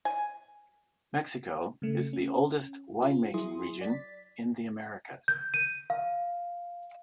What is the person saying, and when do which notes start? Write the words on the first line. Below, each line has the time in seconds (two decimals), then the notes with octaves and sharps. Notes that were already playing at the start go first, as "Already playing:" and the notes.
Mexico is the oldest wine-making region in the Americas.
0.05 G#5
1.82 C#3 A3
2.13 C#4
3.02 C#4 F4
3.34 F#3 E4 G#4 C6 D#6
3.81 D5 A6 B6
5.28 G6
5.54 D#7
5.90 F5